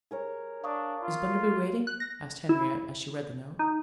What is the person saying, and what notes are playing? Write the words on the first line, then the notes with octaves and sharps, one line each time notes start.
"Is Bunderby waiting?" asked Henriette as she read the note.
G#4 A#4 C#5
D4 F5 C#6 D#6
F4
F#6
A#6
E4
D#4